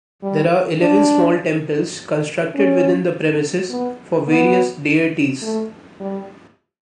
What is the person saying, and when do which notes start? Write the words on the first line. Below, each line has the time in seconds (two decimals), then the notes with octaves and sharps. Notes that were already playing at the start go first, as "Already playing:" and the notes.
There are eleven small temples constructed within the premises for various deities.
0.23 G3
0.81 D4
2.55 C#4
3.69 B3
4.28 B3
5.42 A3
6.01 G3